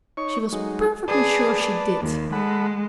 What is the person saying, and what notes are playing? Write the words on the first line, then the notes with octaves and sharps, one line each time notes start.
She was perfectly sure she did.
D#4 C#5 C#6
F#3 G#3 D#4
G#4 B4 D5 A5
D#2
G#3 A4 F#5 B5